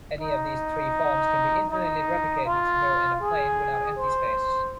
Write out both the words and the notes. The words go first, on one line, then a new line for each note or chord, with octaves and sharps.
Any of these three forms can be infinitely replicated to fill in a plane without empty spaces.
D#4
D#4
F4
G#4
C5